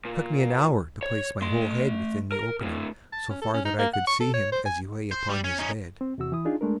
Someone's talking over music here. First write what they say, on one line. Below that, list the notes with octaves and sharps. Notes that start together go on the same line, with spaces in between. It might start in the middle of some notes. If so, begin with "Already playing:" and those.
It took me an hour to place my whole head within the opening so far that I could see him as he lay upon his bed.
A#2
C#5
A3 C6
A#4
D2 A2
A5
C#4
A4
C#4
D#4
A#3
F#5
C#6
A4
C#5
C5
G#5
C5
G3
C#4
C#4 D#4
C4
E2 C3 F#4 E6
E3 E4 D#6
D4 D#4 F4 G#4
G#3 A3 D4 A#4